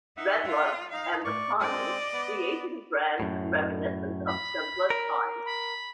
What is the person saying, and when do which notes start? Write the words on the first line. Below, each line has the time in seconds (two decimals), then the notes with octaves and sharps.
Redler and the Simons created a brand reminiscent of simpler times.
0.17 D#4 E5 F#5
0.46 F4
0.92 D#4 F5
1.25 A2 D5 C#6
1.61 G#3 C4 D5 D#5
2.13 B3
3.20 F#2 A2
4.26 B5
4.90 A#4
5.45 B5